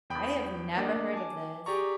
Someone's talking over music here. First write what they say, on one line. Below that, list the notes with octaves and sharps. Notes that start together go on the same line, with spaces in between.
I have never heard of this.
E2 G5 B5 D#6
A#3 D4 D5 D#5
G#5 A5 D6
G4 G#4 D5 A#5 C#6